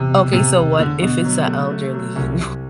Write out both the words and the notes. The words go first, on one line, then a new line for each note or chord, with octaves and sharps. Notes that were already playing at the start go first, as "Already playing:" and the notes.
Okay, so what if it's a elderly, wo
Already playing: E2 C3
B2
E1 C3
E1
D3 A3
B2
F#3
A3
A3
F#3
C2
C2